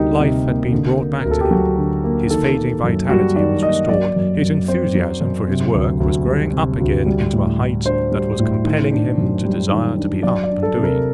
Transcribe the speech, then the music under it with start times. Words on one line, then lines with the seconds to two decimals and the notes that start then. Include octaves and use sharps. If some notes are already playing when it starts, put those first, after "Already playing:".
Life had been brought back to him; his fading vitality was restored, his enthusiasm for his work was growing up again into a height that was compelling him to desire to be up and doing.
Already playing: D2 C3 G3 A#3 D#4 G4 A#4
0.19 C3
0.45 A#3
0.72 D3
0.98 A#3
1.20 A#4
1.25 D2
1.31 A4
1.41 G4
1.51 F#3 F#4
1.78 D3
2.04 A#3
2.30 D#3 A4
2.57 A#3
2.84 F#2
3.09 G3 F#4
3.36 D#3 D5
3.63 A#3 D#5
3.89 F#3 D5
4.16 F#2
4.42 F#2
4.68 C4 C5
4.95 F#3
5.21 F#2
5.47 C3
5.74 D2
6.00 D2
6.27 G3
6.53 C3
6.80 D2
7.06 G3
7.33 A2
7.60 A2
7.85 D4 C5
8.12 G3
8.39 A2
8.64 D#3
8.92 D4
9.18 F#2
9.45 G3
9.71 D#3
9.97 D4
10.23 F#3 D5
10.44 D5
10.51 D4
10.63 A4
10.77 C3
10.84 A#4